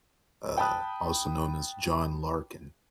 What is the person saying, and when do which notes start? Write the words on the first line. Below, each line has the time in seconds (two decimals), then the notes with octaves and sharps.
uh, also known as John Larkin.
0.57 G5 A5 B5 D#6 F#6